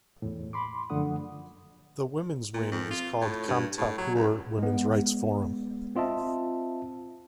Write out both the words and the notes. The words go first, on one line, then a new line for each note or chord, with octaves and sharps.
The women's wing is called Kamtapur Women's Rights Forum.
E2 A2
B5 C6 D6
F#2 D3 F3 A3 F#5 D#6
A#2
F2
F4
A2
G2
A2
F#3
C#2
G#3 B3
C4 F4 D#5 E5 A5